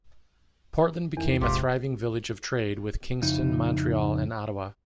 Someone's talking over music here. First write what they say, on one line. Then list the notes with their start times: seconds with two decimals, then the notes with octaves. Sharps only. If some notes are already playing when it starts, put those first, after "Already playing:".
Portland became a thriving village of trade with Kingston, Montreal and Ottawa.
1.17 E2 D#3 E3
1.41 G#1 C3 F4 G4
3.22 F2 C#3 D#4 E4